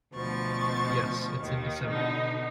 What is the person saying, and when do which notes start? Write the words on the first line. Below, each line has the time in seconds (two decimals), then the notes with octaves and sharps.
Yes, it's in December.
0.13 D2 B2 F3 C#6 A6
1.37 D#2 D#3
1.86 B2 D3 D#4